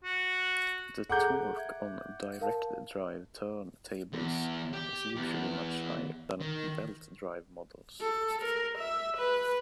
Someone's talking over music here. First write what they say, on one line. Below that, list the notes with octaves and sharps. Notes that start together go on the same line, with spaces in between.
The torque on direct-drive turntables is usually much higher than on belt drive models.
F#4
G#4 A4 F#5 A#5 D6 G6
E5 G#6
A#4 F5 A5
E2
G4
E2
D#3
A4
A#4
E5
B4